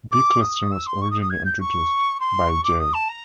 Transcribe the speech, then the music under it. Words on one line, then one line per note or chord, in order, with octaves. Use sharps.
Biclustering was originally introduced by J.
D6
D#6
E6
C6
C#6
D#6
D#6
G#6
G6
C#6
C6
C#6
D6
D#6
A5
A#5